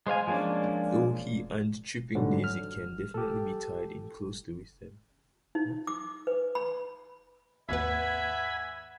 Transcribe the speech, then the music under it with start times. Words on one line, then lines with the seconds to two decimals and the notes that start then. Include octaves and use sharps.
Though he and Tripping Daisy can definitely be tied in closely with them.
0.07 G#3 C5 F5 G#5
0.27 F3 G#3 A#3 C#4 D4
2.15 G#2 D3 F#3 G3
2.44 F6
3.14 G4 A4
5.55 D#4
5.87 D6
6.27 B4
6.55 B5
7.69 G#1 D#2 B4 E5 F#5 G#5 B5